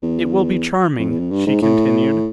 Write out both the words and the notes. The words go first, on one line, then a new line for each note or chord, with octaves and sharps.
"It will be charming," she continued.
E2
F2
E2
F2
G2
G#2
A2